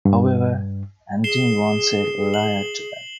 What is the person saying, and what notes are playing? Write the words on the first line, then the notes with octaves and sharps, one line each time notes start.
However, Andine won't sell Eliar to them.
G2
G#4 C7 E7 G7
F#7